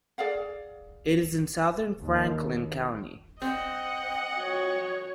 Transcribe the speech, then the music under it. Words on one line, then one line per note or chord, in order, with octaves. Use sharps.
It is in southern Franklin County.
G#4 D5 F5 F#5
D#2
C4 D#5 F#5 G5
F#4 C#5